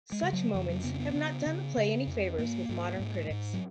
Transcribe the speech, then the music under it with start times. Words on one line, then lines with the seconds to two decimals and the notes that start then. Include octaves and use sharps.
Such moments have not done the play any favours with modern critics.
0.12 G#3
0.23 C#3
0.33 F#3
0.54 F2 F3
0.69 F#3
0.84 C#3 B3
0.94 C#4
1.00 B3
1.15 C#3
1.46 C#3
1.77 C#3
2.07 F2
2.38 G#2 A#3
2.69 G#2
3.00 G#2
3.30 G#2
3.53 F#3